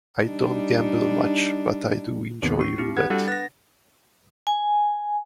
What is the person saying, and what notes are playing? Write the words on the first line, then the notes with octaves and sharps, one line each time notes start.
I don't gamble much, but I do enjoy roulette.
G3 D4 D#4
D#2 C3 B3
D4 C#6 C7
C4 E4 G4
B3 G#6
G3 D4 F#4 A4
B3 F#6 A6 A#6
G#5